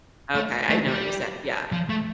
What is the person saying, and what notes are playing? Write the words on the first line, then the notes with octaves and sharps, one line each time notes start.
Okay, I didn't know what you said. Yeah, I
A3
A3
G3
F3
A3